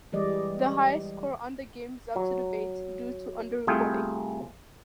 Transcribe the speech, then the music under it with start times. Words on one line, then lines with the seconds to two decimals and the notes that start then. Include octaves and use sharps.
The highest score on the game is up to debate due to under reporting.
0.12 E3 G3 G#3 D5 D#5
2.16 F#3
3.67 C2 A3 F4 G#4 G5